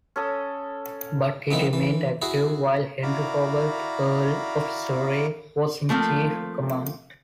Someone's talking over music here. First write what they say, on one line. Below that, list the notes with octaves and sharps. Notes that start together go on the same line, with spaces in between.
But he remained active while Henry Howard, Earl of Surrey was in chief command.
C#4 A4 D#6
F2 D#3 G#3 E4
E3
E4 F#4 G#4
E4 F#4 D5 F5 A#5 B5
F3 A3 A#3 C4